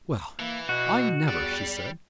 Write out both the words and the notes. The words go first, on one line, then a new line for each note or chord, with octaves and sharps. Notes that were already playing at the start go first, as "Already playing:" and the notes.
"Well, I never," she said.
E3 A#3
B2 F#4
E2 G3 D5